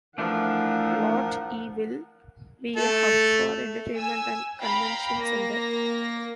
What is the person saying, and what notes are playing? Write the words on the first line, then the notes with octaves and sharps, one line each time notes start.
Lot E will be a hub for entertainment and convention centre.
E3 F3 A3 D4 A#4 F#5
A3 A4
G#5 E6
F5 G5 A#5 B5
A#3 A#6